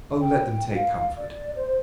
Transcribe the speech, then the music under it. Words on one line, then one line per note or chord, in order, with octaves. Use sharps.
Oh let them take comfort!
G5
F5
D5
C5